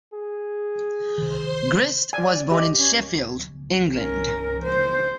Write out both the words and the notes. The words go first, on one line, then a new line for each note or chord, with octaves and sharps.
Grist was born in Sheffield, England.
G#4
C3 D#3 C5 C6
D5 G#5
G4 D#5
C#4
C#4 A#4
C5